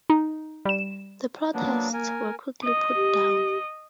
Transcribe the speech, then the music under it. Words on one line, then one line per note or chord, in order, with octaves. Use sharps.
The protests were quickly put down.
D#4
G3 E7
F#3 A#3 B3 D4
A#4 G#5
D#5
G4